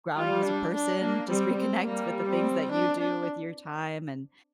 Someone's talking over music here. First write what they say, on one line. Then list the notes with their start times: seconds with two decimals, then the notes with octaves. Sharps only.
ground you as a person, just reconnect with the things that you do with your time and,
0.17 G3 F4
0.45 D4
0.74 D4
1.02 A#3 D4
1.30 G3 C4
1.58 C4
1.86 G3 A#3
2.29 C4
2.71 D4
3.00 D4